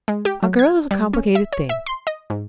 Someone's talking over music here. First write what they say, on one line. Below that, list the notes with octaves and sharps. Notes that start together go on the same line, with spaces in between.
A girl is a complicated thing.
G#3
G4
F#3
G#6
G3
C#4
E5
C#5
E5
C6
D#5
G#2